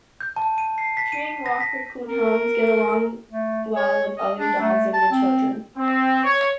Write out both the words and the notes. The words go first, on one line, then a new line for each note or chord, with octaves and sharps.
Treeing Walker Coonhounds get along well with other dogs and with children.
G6
A5
D#7
C7
B6
D#7
A#6
B6
A#4
A3
C#5
D#5
D4
A3
A5
C4
C4
C#5